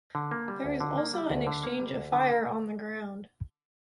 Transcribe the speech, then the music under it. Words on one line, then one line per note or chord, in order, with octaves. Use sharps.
There is also an exchange of fire on the ground.
D3
A#3
G3
D2
D3
A#3
G3
D2
D3
A#3
G3
D2
D3